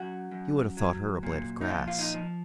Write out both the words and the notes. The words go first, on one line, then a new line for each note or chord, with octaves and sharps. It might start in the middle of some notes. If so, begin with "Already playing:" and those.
You would have thought her a blade of grass.
Already playing: F#2 F#4
F#2
F#3
A#2
D#4
F3 F4
F4
D#4
F3